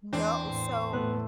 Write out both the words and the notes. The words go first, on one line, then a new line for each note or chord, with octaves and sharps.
No, so
E2 C4 D4
A2
A2 A3 B3 F#6